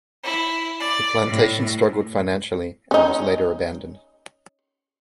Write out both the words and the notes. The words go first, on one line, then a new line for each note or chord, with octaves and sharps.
The plantation struggled financially and was later abandoned.
E4
D5
A2
C#4 D#4